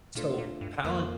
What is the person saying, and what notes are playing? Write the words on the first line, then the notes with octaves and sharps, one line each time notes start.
So, Palant
A#2 A3 D4 F4 A4 C5
A#2
G2
F2 D#3 A#3 F4 C5